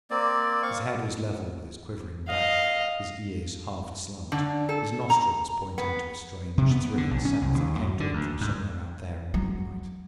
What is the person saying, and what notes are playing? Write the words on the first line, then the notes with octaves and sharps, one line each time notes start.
His head was level with his quivering back, his ears half aslant, his nostrils pointing to a strange thrilling scent that came to him from somewhere out there in the moonlight.
A#3 C4 D5
F5 C#6
D#5 F5
D3
A4
A#5
B3
C3
B3
D3
B1
C#4
C2
D#2
F#2
D3
D2
G#2
F#3 G#3